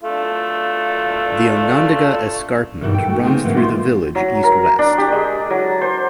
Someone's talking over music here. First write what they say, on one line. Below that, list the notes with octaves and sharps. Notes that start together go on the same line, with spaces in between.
The Onondaga Escarpment runs through the village east-west.
A3 D4 F4
E2 G2 B2 D#3 E3
A4 G5
A3 F#4
C#3 B3 C4 D#4
A2 E3 A#3 F#5
G#3 A3 D#4 F4
F#3
A#4
D4
G4
G#3
F#3
C5